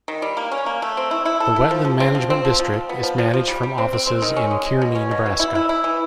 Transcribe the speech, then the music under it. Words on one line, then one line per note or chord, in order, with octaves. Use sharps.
The Wetland Management District is managed from offices in Kearney, Nebraska.
D#3
G3
A#3
C#4
A#3
A3
C4
E4
E4
A4
E4
F3
F3
C4
F3
C4
F3
F3
F3
B3
F3
F3
F3
G3
G3
C4
C4
C4
D#3
C#4
G#3
G#3
B2
C#4
B2
E3
E4
E4
E4
E3